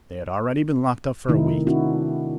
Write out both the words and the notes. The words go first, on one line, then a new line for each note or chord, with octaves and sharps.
They had already been locked up for a week.
C3 D#3 A3 D#4 E4
C4 D4 E4 F#4